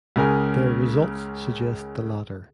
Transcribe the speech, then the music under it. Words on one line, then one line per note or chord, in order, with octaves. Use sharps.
Their results suggest the latter.
C#2 C#3 A#4 G#5